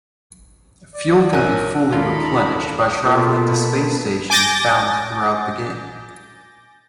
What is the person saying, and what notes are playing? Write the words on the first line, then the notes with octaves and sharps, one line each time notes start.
Fuel can be fully replenished by traveling to space stations found throughout the game.
D5
A#1 A#4 C#5 G#5 E6 F#6
D#2 E4 F4 A4 A#4 D5 B5
B2 A#3 F4 A4 B4
G#5 D6 G6 A6 A#6